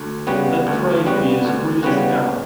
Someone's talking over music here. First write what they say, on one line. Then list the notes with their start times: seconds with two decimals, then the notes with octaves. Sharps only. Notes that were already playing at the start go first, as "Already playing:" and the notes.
Let trade be as free as air.
Already playing: D2
0.27 C#3 G3 B3 F#4
0.67 D2
1.05 C#3 G3 B3 F#4
1.45 D2
1.83 C#3 G3 B3 F#4